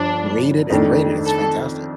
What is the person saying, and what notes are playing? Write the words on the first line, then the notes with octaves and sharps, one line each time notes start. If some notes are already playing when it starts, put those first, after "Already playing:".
rate it and rate it, it's fantastic.
Already playing: G1 G2 F3 D4
F2 D#3 A3 D4
A4